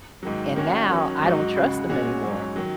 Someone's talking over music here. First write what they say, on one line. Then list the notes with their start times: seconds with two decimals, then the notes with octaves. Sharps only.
and now I don't trust them anymore."
0.23 G#2 D#3 F#3
0.56 D#3 A#3 C#4 F#4
0.89 D#3 F#3 C#4
1.22 G#2 F#3 D#4 F#4
1.56 C#2 C#3 G#3 F#4
1.89 A#2 G#3 C#4 F#4
2.23 G#2 F#3 C#4
2.56 D#3 F#3